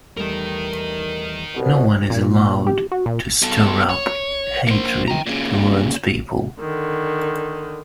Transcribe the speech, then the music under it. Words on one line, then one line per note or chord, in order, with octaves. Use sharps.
No one is allowed to stir up hatred towards people.
E2 G3 A3 A#4 D#5
C2 B2
A#2
G4
F#4
A#2
B2 A4
C#5
A#3 C5
G5 A#5
A#2 C#3
D3 D#3